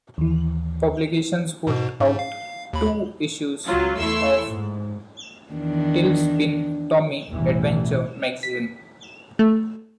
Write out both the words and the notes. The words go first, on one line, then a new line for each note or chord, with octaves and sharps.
Publications put out two issues of "Tailspin Tommy Adventure Magazine".
D#2 E3
G#2 B2
G#2
F5
D#2 B5
C#2 F#3 F4
E2 A3 E4 C6 C#6 E6
G#2
E2 D#3 D4
A1 E2 B2 E3 G3
B6
A3